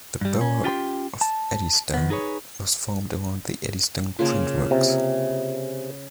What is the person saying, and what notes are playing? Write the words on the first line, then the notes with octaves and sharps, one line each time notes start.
The borough of Eddystone was formed around the Eddystone Print Works.
G2 G3
C#4
C#4 F4 G4 G5 A#5 C6
A5
D#3 B3
D#4 G#4 B4 C#5
C#3 A#3 F4
C3